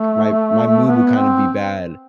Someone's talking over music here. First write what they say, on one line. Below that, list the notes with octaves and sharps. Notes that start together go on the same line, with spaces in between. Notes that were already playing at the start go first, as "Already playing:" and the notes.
my my mood would kind of be bad,
Already playing: A3
B3
C4